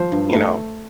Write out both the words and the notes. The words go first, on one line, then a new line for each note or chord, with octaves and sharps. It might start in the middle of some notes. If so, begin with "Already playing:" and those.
you know,
Already playing: F3 C5
G2
A3